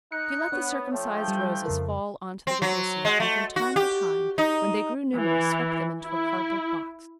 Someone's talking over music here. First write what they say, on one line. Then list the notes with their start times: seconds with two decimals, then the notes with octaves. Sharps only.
She let the circumcised roses fall on to the window-seat, and from time to time, when they grew numerous, swept them into a cardboard box.
0.12 D#4 F#6 C#7
0.52 B3 D4 C#5
0.92 F3 A3 G5
1.28 G3
1.66 F2 C#3 A#4
2.47 C4
2.62 F#3
3.05 G#3
3.20 A3
3.56 F#4
3.76 G4
4.38 D#4
5.15 E3
6.03 E4